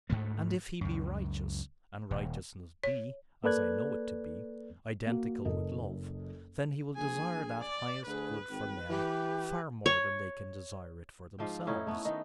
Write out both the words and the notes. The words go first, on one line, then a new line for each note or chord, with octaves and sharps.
'And if He be righteous, and righteousness be--as I know it to be--identical with love, then He will desire that highest good for men far more than they can desire it for themselves....
D2 G#2 G3 A3
C#2 F#2
D#1
C#5
A#3 A4 B4 D5 F#6 G#6
A#3 F#4
F#1 A4 A#4 D#5
A#1 G#4 G#5
D5
D2 G#4 B4
G#1 G5
E3 G4
C#5
G#2 F3 F5 G5
A2 C#4 D#4 E4
A3 B3
D#3 B3 D#4